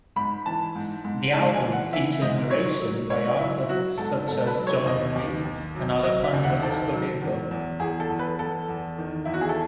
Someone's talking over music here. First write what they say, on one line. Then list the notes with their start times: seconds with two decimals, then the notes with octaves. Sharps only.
The album features narration by artists such as Jon Voight and Alejandro Escovedo.
0.16 G#2 B5
0.45 E3 A5
0.75 G#2
1.05 G#2
1.33 G#3 A5
1.54 G#5
1.63 E3
1.72 F#5
1.93 E3 E5
2.22 G#2 D#5
2.51 F#3 C#5
2.80 F#3
3.10 G#2 C#5
3.39 F#3 E4
3.69 F#3 F#4
3.98 G#2 A4
4.28 G#2 A4
4.41 A4
4.47 B4
4.58 F#3
4.67 C#5
4.86 D#2 D#5
5.16 D#2
5.45 D#2
5.75 F#3
6.03 F#3 D#5
6.23 E5
6.33 D#2
6.44 F#5
6.62 D#3 A4
6.92 F#3
7.22 E2
7.51 E2
7.80 E2 G#4
8.00 A4
8.10 E2
8.19 B4
8.39 E2 A4
8.68 E2
8.98 D#3
9.25 E2 E4
9.34 F#4
9.41 G#4
9.49 A4